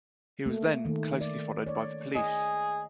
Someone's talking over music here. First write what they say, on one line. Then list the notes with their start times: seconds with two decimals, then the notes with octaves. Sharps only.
He was then closely followed by the police.
0.46 A3 A#3
0.85 D#3 A3
1.21 D5
1.67 C#5 D5
2.16 G#4 D#5